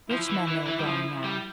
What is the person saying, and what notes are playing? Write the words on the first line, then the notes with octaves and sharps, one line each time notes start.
Rich men they are growing now.
F3 E4
E3
E3
E3
G3
F3
G3